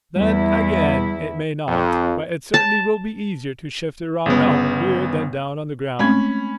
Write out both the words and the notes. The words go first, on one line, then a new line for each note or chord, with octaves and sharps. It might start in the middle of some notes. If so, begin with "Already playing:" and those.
Then, again, it may not, but it certainly will be easier to shift around up here than down on the ground.
E2 G3 E4
F2
A5
G1 C#3 B3
G#3 A3 C4 C#4 B5 G#6